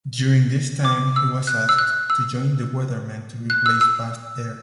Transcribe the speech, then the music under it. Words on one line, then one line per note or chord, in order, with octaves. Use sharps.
During this time he was asked to join The Weathermen to replace Vast Aire.
D6
E6
F#6
E6
F#6
E6
F#6
E6
E6